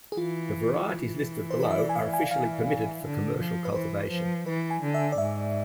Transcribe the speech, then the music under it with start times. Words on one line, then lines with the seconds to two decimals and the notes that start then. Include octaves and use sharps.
The varieties listed below are officially permitted for commercial cultivation.
0.12 G#4
0.17 E3 F4
0.89 E3
1.51 C5
1.60 B4
1.71 E5
1.78 D5
1.89 G#5
1.96 F5
2.13 G#5
2.31 E3 F5
3.03 D3
3.39 F3
3.65 B4
3.75 E3 C5
4.10 F3
4.46 E3 B4
4.70 G#5
4.82 D3
4.94 E5
5.12 D5
5.18 G#2 E5